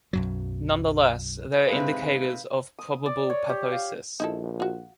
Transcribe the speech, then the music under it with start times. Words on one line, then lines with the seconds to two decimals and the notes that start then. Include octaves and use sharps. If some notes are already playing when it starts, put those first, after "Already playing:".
Nonetheless, they are indicators of probable pathosis.
0.13 B1 F#2 F#3
1.68 C3 D#3 G#3 B4 F5
2.79 D#6
3.06 D5
3.30 C#5
3.49 G4
3.72 F5
4.20 A#1 D#4 E4 A4
4.60 F4 F#4